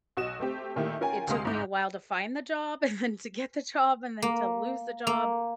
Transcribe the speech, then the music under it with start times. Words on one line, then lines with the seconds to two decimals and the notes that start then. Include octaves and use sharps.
It took me a while to find the job, and to get the job, and then to lose the job.
0.17 B1 F#4 D#5 E7
0.40 A3 C4 G4
0.76 A#2 D#3 A3 A#3 E4 G4
1.01 C#4 F4 A#4 G5 G#5
1.27 D2 C3 G#3 F5 C6 D#6
1.44 A1 G#2 G#3 E4 D6 G6
4.22 A#3
5.07 A#3